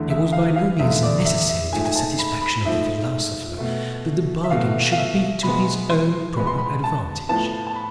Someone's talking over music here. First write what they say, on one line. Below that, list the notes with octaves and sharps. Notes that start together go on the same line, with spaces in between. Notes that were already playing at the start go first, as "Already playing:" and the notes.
It was by no means necessary to the satisfaction of the philosopher, that the bargain should be to his own proper advantage.
Already playing: E2 D3 A3
E5
F5
F5
E2 D3 A3 E5
D5
E5
E5
G#2 F3 A3 G#5
G#5
A5
B5
B5
G#2 F3 A3 E5
B2 A3
E5
B2 A3 F5
F5
E5
B2 G#3 B3 B5
C6
B2 G#3 B3 B5
C6
B5
A5
A2 F3 B3 A5
A5
B5